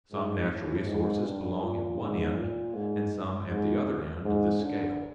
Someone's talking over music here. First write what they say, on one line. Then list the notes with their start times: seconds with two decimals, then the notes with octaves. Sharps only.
Some natural resources belong at one end, and some at the other end of this scale.
0.11 G#2
0.49 A2
0.85 G#2
1.24 G2
1.61 A#2
1.99 G#2
2.36 A#2
2.74 G#2
3.49 G#2
4.24 G#2
4.61 D3